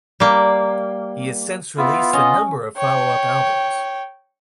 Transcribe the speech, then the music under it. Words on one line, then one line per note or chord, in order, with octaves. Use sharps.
He has since released a number of follow-up albums.
G3 A#3
B3 E4 F4
C#4 D#5
C#5 G5